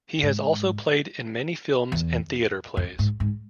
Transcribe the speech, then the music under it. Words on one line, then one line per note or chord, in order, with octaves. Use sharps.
He has also played in many films and theater plays.
G#2
E2
F2
G#2
G#2